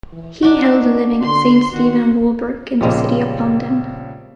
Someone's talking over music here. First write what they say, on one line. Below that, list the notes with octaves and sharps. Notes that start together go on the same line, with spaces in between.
He held the living at St Stephen Walbrook in the City of London.
E3
D4 D#4 F#4
D3 C6
D#3 F#4
A#1 C#3 G3 G#3 A#3